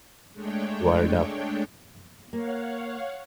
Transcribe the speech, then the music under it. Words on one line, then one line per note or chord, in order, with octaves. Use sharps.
Word up!
G#3 A3 D4 C#5 G5
A#3 C#5 F5 F#5